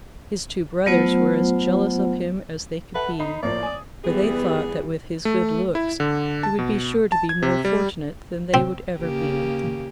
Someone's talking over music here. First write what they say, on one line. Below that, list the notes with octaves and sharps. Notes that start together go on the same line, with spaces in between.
His two brothers were as jealous of him as they could be, for they thought that with his good looks he would be sure to be more fortunate than they would ever be.
F#3 A3 B3 F4 C5 F#5
A4 B4 E5 F#5
D#4 B5 D#6 C7
A2 F3 A#3 D5
G#5 D#6
E3 G3 B3 G#4
A3
E4
D3
A5
B2
A5
G#6
C3
G3
C4
C#3 A#3 G4